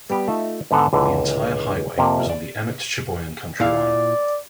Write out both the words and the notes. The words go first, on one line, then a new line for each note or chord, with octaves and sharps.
The entire highway was on the Emmet-Cheboygan county line.
G3 B3 G4
A3 D#4 F4 E5
G#2 D3 B3 A4
C#2 A#2 D3 E3
F2 C3 F3 A#3 E5
D5
A#2 E4 D5 F5